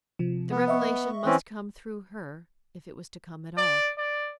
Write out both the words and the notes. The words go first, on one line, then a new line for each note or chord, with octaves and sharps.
The revelation must come through her, if it was to come at all.
C3 F3
B3
D#5 E5 C#6
E3 C4 C#4
D5
D5